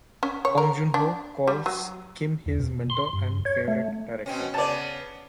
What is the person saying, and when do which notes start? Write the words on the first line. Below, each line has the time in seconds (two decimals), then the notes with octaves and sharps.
Bong Joon-ho calls Kim his mentor and favorite director.
0.23 C#4
0.45 C#5
0.58 A#4
0.94 D4
1.47 G3
1.66 F#3
2.46 E2
2.60 B2
2.90 C6
3.13 G2
3.45 C#5
3.68 A3
4.26 B2 C4 C#4
4.54 C#3 B3 D5 A5